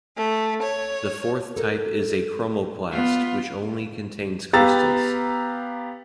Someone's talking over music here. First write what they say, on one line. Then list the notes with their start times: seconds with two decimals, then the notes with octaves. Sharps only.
The fourth type is a chromoplast which only contains crystals.
0.16 A3
0.63 C#5
1.56 A4 A#4
2.91 B3 F4
4.53 B3 G4 F5 A#5 E6 A6